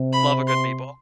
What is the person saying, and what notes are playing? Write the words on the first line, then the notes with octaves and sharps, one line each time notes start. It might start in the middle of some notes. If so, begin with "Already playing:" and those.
Love a good meatball.
Already playing: C3
B5
C6